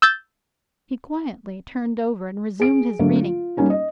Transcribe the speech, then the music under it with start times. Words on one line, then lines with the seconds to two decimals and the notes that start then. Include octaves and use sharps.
He quietly turned over, and resumed his reading.
0.02 E6 G6 A6
2.60 G#4 D7
2.99 D3 F#3 A3 A#3
3.21 F4
3.57 G3 A#3 C#4 D#4
3.70 D#5